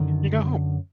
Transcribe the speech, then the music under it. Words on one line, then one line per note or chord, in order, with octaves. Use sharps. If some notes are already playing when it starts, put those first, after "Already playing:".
you go home.
Already playing: F#2 D3 D#3